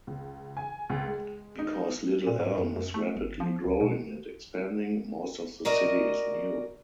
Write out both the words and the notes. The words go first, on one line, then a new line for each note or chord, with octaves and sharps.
Because Little Elm is rapidly growing and expanding, most of the city is new.
C#2
G#5
C#2
G#3
D#4
A#2
G#2
F#2
F#2
A3
G1
F3
C#2
B2
F#4 A#4 D5 D#5